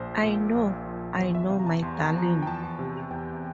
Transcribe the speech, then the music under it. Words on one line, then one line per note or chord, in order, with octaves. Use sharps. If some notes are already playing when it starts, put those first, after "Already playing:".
I know, I know, my darling.
Already playing: A#1 F3 C5
A#2
A#1
F3
E2 C5
E5
C3 F5
A#5
A5
E2 C6
A#5
A5
F3 A#5
G5
E2 A5
C3
E2 G5